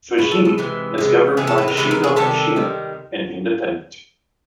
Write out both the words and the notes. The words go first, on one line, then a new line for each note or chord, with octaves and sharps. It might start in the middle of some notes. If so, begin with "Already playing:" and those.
Fujimi is governed by Shingo Hoshino, an independent.
B2 G#3 E4
A4
A4
C3 E3 G#3
C3 E3 G#3
C3 E3 G#3 G#4
A4
B4
A#4
C3 E3 G#3 B4
A#4
G#4
C3 D#3 G3 A4
C3 D#3 G3